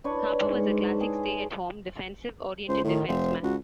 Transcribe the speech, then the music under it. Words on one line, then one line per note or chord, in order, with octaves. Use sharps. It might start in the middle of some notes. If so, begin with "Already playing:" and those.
Harper was a classic stay at home defensive oriented defenceman.
D4 B4 C#5
G#2
G#4
C#2 C5
A2 D#3
F1 C5
C#2 F#4